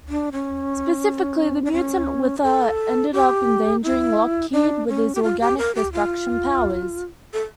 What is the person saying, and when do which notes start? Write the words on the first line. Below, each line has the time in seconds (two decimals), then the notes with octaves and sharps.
Specifically, the mutant Wither ended up endangering Lockheed with his organic-destruction powers.
0.09 D4
0.32 C#4
1.65 D4
1.73 C#4
2.43 A4
3.13 G4
3.83 E4
4.53 D4
4.88 C#4
5.15 G4
5.23 F4
5.41 G4
5.58 A#4
5.75 G4
5.93 F4
7.33 A4